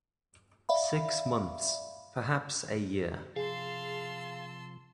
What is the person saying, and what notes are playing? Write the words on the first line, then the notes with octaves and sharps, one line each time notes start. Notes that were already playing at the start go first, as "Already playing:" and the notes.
Six months, perhaps a year.
D5 E5 F5 B5
C3 F3 G#4 F5 A5 C6 E6